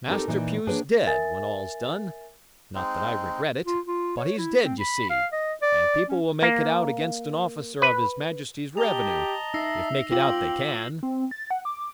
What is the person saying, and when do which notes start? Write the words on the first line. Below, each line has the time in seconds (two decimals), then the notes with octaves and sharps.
Master Pew's dead, when all's done; not that I regret it, but he's dead, you see, and people will make it out against an officer of his Majesty's revenue, if make it out they can.
0.08 C4 D#4 E4 G4 A4 A#4
0.27 A#2 E3 D#4 C5 G5
0.67 A#3 D4 G#4 B4 C#5 G5
1.07 A#4 E5 G#5 A6
2.75 G#3 C4 D#4
3.67 F4
3.87 F4
4.17 C#5
4.38 E4
4.64 C4
4.80 B5
5.10 F5
5.32 D#5
5.62 D5
6.09 C#4
6.42 A#3
7.82 B4
8.77 G4 D#5 A5 A#5 F7 G7
9.54 D#4 E5 E6 A#6 C7
10.12 C4 F4 G5 D6 E6 F#7
11.03 C4
11.31 A6
11.51 F#5
11.65 D6